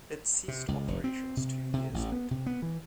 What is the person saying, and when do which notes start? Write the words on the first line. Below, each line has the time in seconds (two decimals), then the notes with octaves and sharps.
It ceased operations two years later.
0.48 C3
0.68 C#2
0.88 F1
1.04 C4
1.37 C3
1.73 C3
1.94 A1
2.12 B3
2.31 C3
2.46 B3
2.62 E3